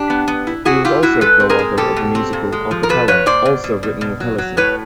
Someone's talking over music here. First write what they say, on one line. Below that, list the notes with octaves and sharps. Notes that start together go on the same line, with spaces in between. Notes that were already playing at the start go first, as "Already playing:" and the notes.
He was also co-author of the musical "A Cappella," also written with Hellesen.
Already playing: D4 G4
B3
B3
E4
E4 F#4 G#4
E4 F4 G4
A2 E4 F#4
G#3 A4 B4
C4
G#4 A#4
G#3
B2 G4 A4
B2
C4
A#2
G#3
F3
A#4
A#2 A4 B4
F3 B4 C#5
A#2 C5 D5
B2
B2
B2
B2
F#3
F#3
A2 B4 C#5